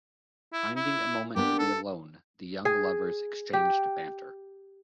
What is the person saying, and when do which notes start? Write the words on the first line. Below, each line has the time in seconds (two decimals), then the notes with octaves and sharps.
Finding a moment to be alone, the young lovers exchange banter.
0.53 E4
0.76 E4
1.36 A#3 B3 D4 G4
1.59 A4
2.65 G#4
3.53 G4